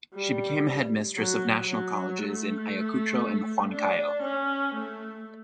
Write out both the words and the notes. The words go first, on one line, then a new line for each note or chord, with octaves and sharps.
She became headmistress of national colleges in Ayacucho and Huancayo.
G3
F#3
F#3
A3
D4
C#4
A3